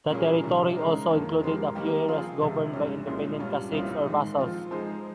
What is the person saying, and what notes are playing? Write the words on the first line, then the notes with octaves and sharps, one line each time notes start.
The territory also included a few areas governed by independent caciques or vassals.
A#2 G3 A#3 C#4 G#4
C3 D#3 G3 C#4
C#3 G#3 D#4 A#4
F2 D#3 A#3
F3 G#3 C4 G4 A#4
D#3 G3 A#3 D#4 G4
F3 C4 F4 G#4
C#2 C3 F3
G#2 G3 C#4
C2 A#2 G#3
G2 G3 C#4 F4
C2 A#2 G3 C4 F4
G#2 D#3 G#3
F3 C4 F4
F3 G#3 D#4 G#4 C5